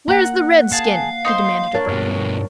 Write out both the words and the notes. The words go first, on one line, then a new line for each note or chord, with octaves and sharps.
"Where is the redskin?" he demanded abruptly.
A#3 F#5 A#5
G#4 F5 A5
D#4 C5 C6
D4 A#4 C#5
G2 B2